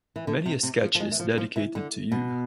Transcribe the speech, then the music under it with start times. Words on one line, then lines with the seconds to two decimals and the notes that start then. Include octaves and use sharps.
Many a sketch is dedicated to you.
0.16 E3
0.27 D3
0.46 C3
0.63 C3
0.82 F3
0.95 F3
1.00 G#3
1.11 E3
1.20 F3
1.38 F3
1.56 E3
1.75 D3
2.12 B2